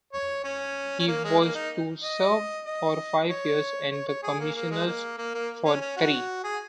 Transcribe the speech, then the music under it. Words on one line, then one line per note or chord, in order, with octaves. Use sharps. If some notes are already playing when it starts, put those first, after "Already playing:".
He was to serve for five years and the Commissioners for three.
C#5
C#4
C#4
A#3
G#3
A#3
D#4
D#5
D#5
C#5
C#5
C#5
G#4
A#3
A#3
G#3
A#3
A#3
A#3
C#4
C#4
F#4
G#4